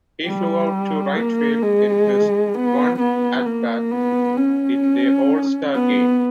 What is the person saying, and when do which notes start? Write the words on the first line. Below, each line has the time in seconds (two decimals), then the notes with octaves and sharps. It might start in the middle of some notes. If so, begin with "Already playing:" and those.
He flew out to right field in his one at-bat in the All-Star game.
0.25 G3
1.16 A#3
1.62 G#3
2.54 B3
2.99 B3
3.45 A#3
3.91 B3
4.37 C#4
5.74 B3